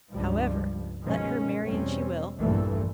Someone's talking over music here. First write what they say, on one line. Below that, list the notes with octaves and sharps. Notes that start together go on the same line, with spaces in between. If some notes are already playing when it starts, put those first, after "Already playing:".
However, let her marry an she will.
C#2 G2 F3 G3
B2 D#3 F3 G#3 C#4
E2 B2 G3 C4 C#4
A#1 E2 G2 A#2 E3 A3